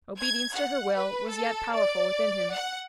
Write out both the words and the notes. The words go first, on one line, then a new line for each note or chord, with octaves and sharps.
Obedience to her will was yet powerful within him.
G#6
F#5
B4
A4
D5
F#5